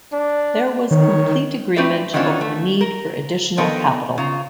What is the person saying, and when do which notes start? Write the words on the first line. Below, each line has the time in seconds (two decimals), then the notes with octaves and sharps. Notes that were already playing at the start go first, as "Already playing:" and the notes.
There was complete agreement over the need for additional capital.
0.13 D4
0.91 D#3 C#5
1.76 A3 C4 D4 B4 D5 E5
2.13 D#3 E3 B3 C#4 D4 F4
2.41 A3
2.81 A#4
3.58 D#3 B3 D4 A4 A#4
4.18 C#3 F4 A#5